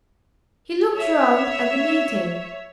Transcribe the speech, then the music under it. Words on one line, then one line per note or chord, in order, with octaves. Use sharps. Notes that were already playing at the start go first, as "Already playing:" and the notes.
He looked round at the meeting.
C#5 E5